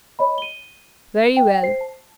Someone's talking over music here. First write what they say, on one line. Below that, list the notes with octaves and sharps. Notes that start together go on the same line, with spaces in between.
'Very well.
C#5 D#5 B5
D#7 G7
G5
C5 C7
A5